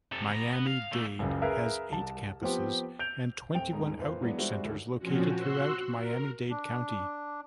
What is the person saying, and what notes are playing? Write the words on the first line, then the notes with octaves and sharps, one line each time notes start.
Miami Dade has eight campuses and twenty-one outreach centers located throughout Miami-Dade County.
C3 A4
B3 A#5
B3 F#5
F5
A#2 A3
F#1 C#2 F#2
G#4 A#4 B4 E5 F5
C2 A5
F3 B3 C4 G4
G6 D7 F7
D1 C4 G5 D7 F7
D#1 G#2 G#3 A#5
F1 A#2 B4 C5 F5
E3 F#3 G#3 B3 D4
G3 G#3 D4 F#4 C5 E5
D#1 D#2 A2 D3
A#2 F3 C4 C#4 F#4
F#4 C6 E6 F#6
A#4
D4